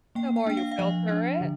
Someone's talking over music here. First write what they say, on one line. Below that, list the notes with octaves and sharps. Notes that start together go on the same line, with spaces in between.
The more you filter it?
A#3 G5
G5
D4 G5
F5
F5
F3 D#5
D4
D3